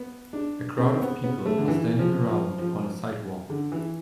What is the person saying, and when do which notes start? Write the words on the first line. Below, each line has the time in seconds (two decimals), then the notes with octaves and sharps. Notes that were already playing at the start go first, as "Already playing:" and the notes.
A crowd of people are standing around on a sidewalk.
Already playing: B3
0.33 D4
0.78 C4
1.01 B3
1.24 B3
1.46 A3
1.58 D3
1.68 E3
1.99 F3
2.29 F3
2.59 F3
3.50 D3
3.72 E3